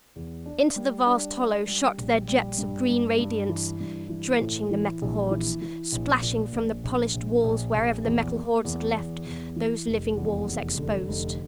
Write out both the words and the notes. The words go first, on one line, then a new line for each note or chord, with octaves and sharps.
Into the vast hollow shot their jets of green radiance, drenching the Metal Hordes, splashing from the polished walls wherever the Metal Hordes had left those living walls exposed.
E2
D4
G3
D4
D4
G3
A#1
G3
G2
G2
G2
E3
G2
E3
A2
E3
A#1
E3
E3
A#1
A#2
A#1
A#1
A#1
A#1
A#1
E2
A#3
E2
E2
E2
E3
F1
E2
F1
D3
F1